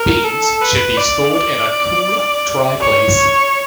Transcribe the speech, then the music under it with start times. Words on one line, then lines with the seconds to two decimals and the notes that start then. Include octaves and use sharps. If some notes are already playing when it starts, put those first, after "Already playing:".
Beans should be stored in a cool, dry place.
Already playing: A#4
0.25 A4
0.62 B4
0.97 D5
1.34 D5
2.80 C#5